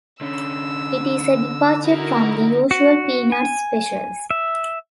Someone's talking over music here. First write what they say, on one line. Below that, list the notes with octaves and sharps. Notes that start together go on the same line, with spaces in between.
It is a departure from the usual "Peanuts" specials.
D3 C#4 E6
D#4 E4 F#4 A#4
F#4
G#5
E5